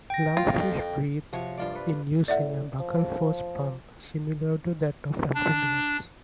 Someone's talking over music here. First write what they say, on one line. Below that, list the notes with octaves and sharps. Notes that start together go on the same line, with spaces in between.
Lungfish breathe in using a buccal force-pump similar to that of amphibians.
G5 A#6
F4
F2
C3 F3 F#4 C#5
G2 F4 D5
B4
A2 D5 E5 F#5
F3
D4